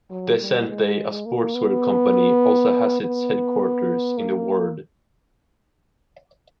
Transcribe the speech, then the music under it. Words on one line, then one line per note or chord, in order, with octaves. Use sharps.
Descente, a sportswear company, also has its headquarters in the ward.
F#3
G3
G#3
A#3
B3
B3
A#3